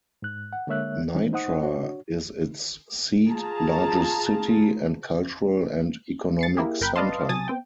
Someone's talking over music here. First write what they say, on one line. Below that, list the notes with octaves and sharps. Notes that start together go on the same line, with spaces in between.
Nitra is its seat, largest city, and cultural and economic center.
G#2 F#6
F#5
D3 G#3 A#3 C#5 E5 F#6
D#3 E3 G#3 C4 D4
D#4 C5 F#5 D#6
D4 F#4 C#5
F4 G#4 A5 A#5
A6 C7 C#7
A#3 E4 G4 G#4
G1 A#4 G5 B5 F#6 G6
B4 D5 D#5 F5 A5 C6
C3 F#3 G#5 A5 D#6 A6
B3 C4 G5